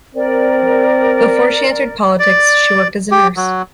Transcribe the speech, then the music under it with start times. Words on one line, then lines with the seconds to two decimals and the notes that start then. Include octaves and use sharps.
Before she entered politics she worked as a nurse.
0.15 C4 A#4 D5
2.20 D5
3.11 G4
3.37 F#3